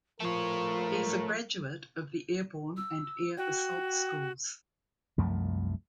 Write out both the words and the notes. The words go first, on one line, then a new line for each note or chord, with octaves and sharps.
He is a graduate of the Airborne and Air Assault schools.
F3 A3 A#4 C#5
E6
F#4 G5
C2 F#2 F3 A3